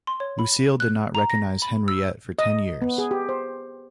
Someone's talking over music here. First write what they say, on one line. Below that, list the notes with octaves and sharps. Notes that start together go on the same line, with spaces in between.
Lucile did not recognize Henriette for ten years.
C6
C#5
B5
F#6
A#5
A#6
B5
E6
D#5
B3
G#4
G4
C5